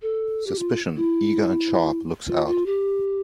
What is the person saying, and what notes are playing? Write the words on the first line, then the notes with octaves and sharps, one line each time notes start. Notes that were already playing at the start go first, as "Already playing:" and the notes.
Suspicion, eager and sharp, looks out.
A4
G4
F4
E4
F4
F4
G4